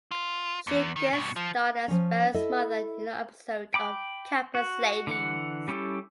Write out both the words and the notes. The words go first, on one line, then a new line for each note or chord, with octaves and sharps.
She guest starred as Barri's mother in an episode of "Campus Ladies".
F4
E2
D#3
G2 B2
F3
F3 C#4
E4 A4 D#5 E5
G5 B5 D6
F#4
D3 E3 F#5
G3 C#4 E4 G4 A4